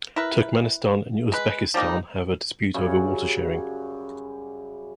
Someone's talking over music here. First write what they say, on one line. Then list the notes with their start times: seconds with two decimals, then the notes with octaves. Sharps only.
Turkmenistan and Uzbekistan have a dispute over water-sharing.
0.16 E4 A#4 B4
1.32 G#3 B4
1.74 F3 G3 A#3 D#4
2.74 F#2 C#3 G3